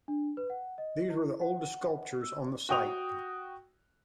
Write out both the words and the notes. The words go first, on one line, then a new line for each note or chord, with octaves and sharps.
These were the oldest sculptures on the site.
D4
B4
F#5
D#5
E4
F#5
E6
F#4 G5 D#6 F7